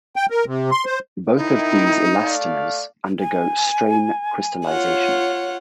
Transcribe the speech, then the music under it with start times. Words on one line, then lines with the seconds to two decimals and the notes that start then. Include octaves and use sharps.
Both of these elastomers undergo strain crystallization.
0.16 G5
0.30 A#4
0.46 C3
0.71 C6
0.86 C5
1.37 F2 D#3 D#4 E4
2.22 A3 D5 F5
3.20 G#5
4.66 F4 C#5 F#5